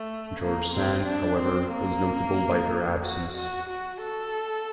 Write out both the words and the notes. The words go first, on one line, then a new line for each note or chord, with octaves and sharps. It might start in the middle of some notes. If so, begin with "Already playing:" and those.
George Sand, however, was notable by her absence.
Already playing: A3
A#3
C4
D4
C4
A#3
F#4
F#4
F#4
A4